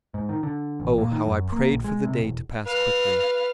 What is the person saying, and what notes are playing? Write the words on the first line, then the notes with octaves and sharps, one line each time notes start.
Oh, how I prayed for the day to pass quickly!
G#2
D#3
D3
A1
A#2
D#3
F#2
A#3
A#1
G#3
C3
E1
B4 F5 F6